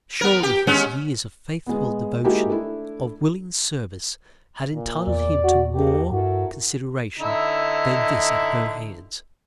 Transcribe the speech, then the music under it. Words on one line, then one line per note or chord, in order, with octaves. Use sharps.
Surely his years of faithful devotion, of willing service, had entitled him to more consideration than this at her hands.
B3 A#4
G4
G#3 B3 C#4
G#3 B3
G#3 A#3 D#4 E4 F#4 G4
A3 D4 E4
A#2
E2 D5
F#4
B2 A#3 G4 A#4
G2 E4 F#4 A4 A#4
D3 D#4 E4